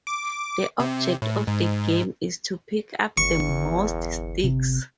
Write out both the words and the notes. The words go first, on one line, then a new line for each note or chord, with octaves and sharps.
The object of the game is to pick up the most sticks.
D6
C3
A2
G#2
G1 E2 C#6
C3